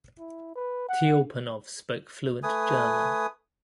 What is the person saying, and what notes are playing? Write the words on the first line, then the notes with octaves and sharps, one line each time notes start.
Tiulpanov spoke fluent German.
E4
B4
F#5
A3 B4 G#5 D#6